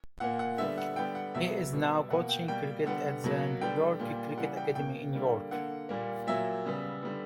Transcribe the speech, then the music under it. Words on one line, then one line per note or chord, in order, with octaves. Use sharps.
He is now coaching cricket at the York Cricket Academy in York.
A#2 A#3 F#5
F#5
D3 G3 B3 E5
F#5
D3 G3 B3 G5
F#5
B2 F#3 B3 E5
B2 G3 B3
B2 A#3 F#5
G5
B2 G3 A#3 G5
D3 G3 B3 F#5
B2 F#3 A#3
D3 G3 B3 G5
A#2 G3 A#3
C#3 E3 G3 F#5
G5
B2 A#3 G5
D3 G3 A#3
D3 A#3 F#5
A#2 G3 A#3
A#2 F#3 A#3 E5
C#3 G3 B3
D3 G3 B3